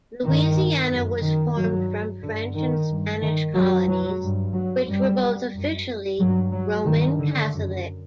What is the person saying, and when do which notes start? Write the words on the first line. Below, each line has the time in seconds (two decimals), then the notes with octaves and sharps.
Louisiana was formed from French and Spanish colonies, which were both officially Roman Catholic.
0.23 G2 D#3
0.90 F#2
1.22 D#3
1.55 G2 F#3
2.22 G2 D3
2.55 D#3
2.88 G2
3.21 D#3
3.54 F#2 F#3
3.87 F#3
4.20 G2
4.53 F#3
4.86 F#2 G3
5.53 F#2
6.18 G2 F#3
6.52 F#3
6.85 G2 D#3
7.18 D3
7.51 F#2